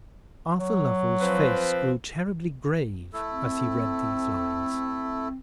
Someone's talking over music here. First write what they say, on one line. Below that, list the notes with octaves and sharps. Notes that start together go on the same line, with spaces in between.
Arthur Lovell's face grew terribly grave as he read these lines.
F#3
F3 C4 B4
A3 E4 A4
C4